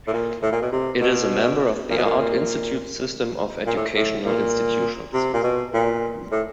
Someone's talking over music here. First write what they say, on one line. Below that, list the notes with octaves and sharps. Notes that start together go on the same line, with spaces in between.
It is a member of The Art Institutes system of educational institutions.
A2
A#2
A2
A#2
B2
C3
B2
A#2
B2
A#2
A#2
A#2
A2
A2
A#2
C3
A#2
B2
A#2
A2